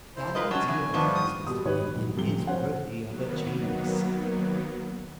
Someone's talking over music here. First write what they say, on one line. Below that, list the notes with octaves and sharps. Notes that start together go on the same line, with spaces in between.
That idea of yours, Mr. Idiot, is worthy of a genius.
E4 C5
F4 A#4 B4 D#5
F#3 C#4 A5 C#6 E6
E3 G#5
D#3 F3 B3 D4 C#6
D#6
B2 G3 D#6
G#2 D#3 D#4 G4 B4 C#5
A#2 E3 F#3
F1 A2 C3 F3 G3 G7
F3 C#4 C5 F#5
D#3 F#3 A#3 B3